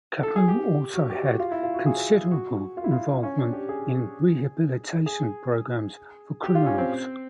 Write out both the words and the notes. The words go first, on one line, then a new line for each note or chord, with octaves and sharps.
Kopu also had considerable involvement in rehabilitation programs for criminals.
A4
G#4
G4
F#4
G4
F#4
F4
E4
F4
F#4
G#4
F#4
F4
E4
F4
C#4
D4
G4
G#4
G#4
G4
F4
C#4
C4